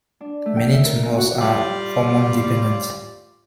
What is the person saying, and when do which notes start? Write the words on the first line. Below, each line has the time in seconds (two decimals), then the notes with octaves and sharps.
Many tumors are hormone dependent.
0.21 D4
0.46 A3
0.57 G5
0.73 E5
0.85 A#4
1.03 A#4
1.18 F#4
1.41 G3 F4 D5